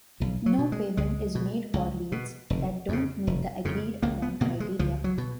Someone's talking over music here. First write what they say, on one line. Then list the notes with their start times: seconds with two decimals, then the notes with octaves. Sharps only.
No payment is made for leads that don't meet the agreed upon criteria.
0.20 B1 F3
0.46 F#3
0.58 B2
0.72 G#3
0.97 C#2 G#3
1.35 B2
1.74 C#2
2.12 B2
2.50 F1
2.89 F2 C#3
3.27 F1
3.65 F2 C#3
4.03 C#2 A#3
4.22 B3
4.41 B2 A#3
4.60 G#3
4.79 C#2 F3
5.04 F#3
5.18 B2